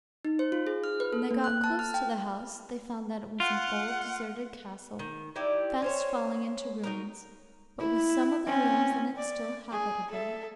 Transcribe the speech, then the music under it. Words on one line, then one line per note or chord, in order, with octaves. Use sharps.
When they got close to the house they found that it was an old deserted castle, fast falling into ruins, but with some of the rooms in it still habitable.
D#4
C5
F4
G#4
F6
B4
A4
A#3
F#6
A5
F6
G5
F4 F#5
D#3
D#4 E4 G4 D5
C#4 C5 C#5
F#3 D#4 A#4
E4
C4 C#4
D5
G#4
A4 E5